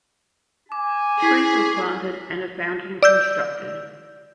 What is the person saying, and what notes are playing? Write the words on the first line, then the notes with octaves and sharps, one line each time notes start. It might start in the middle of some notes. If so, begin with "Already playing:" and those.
Trees were planted, and a fountain constructed.
G#5 D6
E4 G#4 C#6 G#6 B6 C7
D5 E6 G6